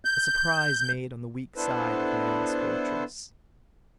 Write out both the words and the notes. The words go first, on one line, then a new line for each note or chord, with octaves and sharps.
A surprise made on the weak side of man's fortress.
G6
B3 D4 E4 A4 B4 C5